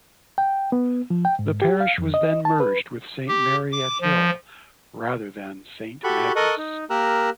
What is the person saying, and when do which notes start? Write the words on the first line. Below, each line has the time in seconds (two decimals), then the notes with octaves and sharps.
The parish was then merged with Saint Mary at Hill rather than Saint Magnus.
0.38 G5
0.72 B3
1.10 F3
1.25 G5
1.39 G#2
1.62 G4
1.80 F5
1.98 F2
2.14 D#5
2.45 A5
2.60 B4
3.28 G4
3.72 D6
4.02 F3
6.04 F#4 G4 A4 B5 C#6 F#6
6.36 A4 A#4 D#5 C#6 D#6 F#6
6.57 D#4
6.90 A#3 G4 A#4 A#5 E6 F#6